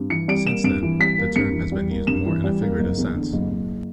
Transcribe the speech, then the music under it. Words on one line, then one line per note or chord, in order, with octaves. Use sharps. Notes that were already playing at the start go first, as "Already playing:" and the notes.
Since then, the term has been used more in a figurative sense.
Already playing: G2
E3 C#7
G3 D7
A#3 E7
G2 D7
E3
G3 B6
A#3
G2 C#7
E3
G3
A#3
G2 E7
E3
G3
A#3
F#1
E2
D3
F#1
F#1